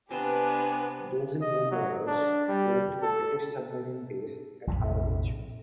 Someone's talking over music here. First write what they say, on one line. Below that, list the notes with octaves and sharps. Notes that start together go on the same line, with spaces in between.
Those in home waters sailed to the British submarine base at Harwich.
C3 B3 D4 G4 B4 C5 G#5 C6
D#5
F#3
D4
G3
A4
A#1 F2 A2 C3